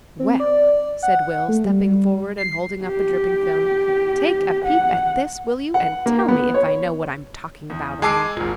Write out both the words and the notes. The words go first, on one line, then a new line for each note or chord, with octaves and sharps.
"Well," said Will, stepping forward and holding up a dripping film, "take a peep at this, will you, and tell me if I know what I'm talking about or not!"
C4
D5
F#5
A3
G3
C7
G4
F#5
F#5
A#3
B3
C#5
E2
G#3 G#5 A5 D6 E6 C7
G#1 A#2